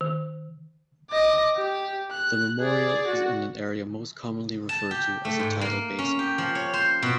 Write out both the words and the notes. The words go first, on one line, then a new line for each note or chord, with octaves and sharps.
The memorial is in an area most commonly referred to as the Tidal Basin.
D#3
D#5 D6
G4
F#6
G#4 D5
F#4
A5
G4
A3
G#2
A#3
C#4
G4
F3
C#5
C5
B2